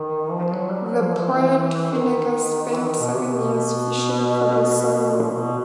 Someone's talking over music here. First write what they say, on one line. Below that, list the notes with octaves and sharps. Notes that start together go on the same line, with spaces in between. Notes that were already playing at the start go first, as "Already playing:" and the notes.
The poet Finegas spent seven years fishing for this salmon.
Already playing: D#3
F3
F#3
G3
F#3
F3
E3
F3
E3
D#3
E3
D#3
B2
C3
B2
B2
A#2
A#2
B2